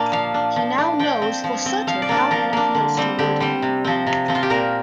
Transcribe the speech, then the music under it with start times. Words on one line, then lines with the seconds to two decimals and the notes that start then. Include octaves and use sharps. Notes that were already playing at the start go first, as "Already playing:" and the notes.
He now knows for certain how Anna feels toward him.
Already playing: A#2 A#3 D4
0.12 F3 F5
0.34 D4
0.56 F3
0.78 D4
0.99 F3 G5
1.22 C4
1.44 F3
1.66 C4
1.87 F3 F5
2.02 D5
2.09 A#3 D4
2.17 D5
2.31 F3 A#4
2.53 A#3 D4
2.75 D3
2.97 G3 C4
3.19 D3 G4
3.40 G3 C4
3.62 C3
3.84 F3 C4
4.07 C3
4.28 F3 C4
4.35 F4
4.43 G4
4.50 A#2 A#4